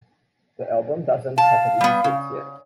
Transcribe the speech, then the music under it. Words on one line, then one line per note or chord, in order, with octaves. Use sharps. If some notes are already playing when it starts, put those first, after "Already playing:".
The album doesn’t have a release date yet.
F5 A5
G3 B3
C#3